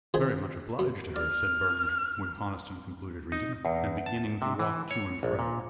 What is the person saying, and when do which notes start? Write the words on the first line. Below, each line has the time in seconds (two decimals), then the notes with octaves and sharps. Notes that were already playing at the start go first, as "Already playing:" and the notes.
"Very much obliged to her," said Bernard, when Conniston concluded reading, and beginning to walk to and fro.
0.14 D#3 F3 G#4
0.79 F#2
1.16 D5 F6
3.32 D#4
3.65 E2
4.06 A5
4.42 C3
4.59 E3
4.91 C#5
5.23 A#1
5.39 A#2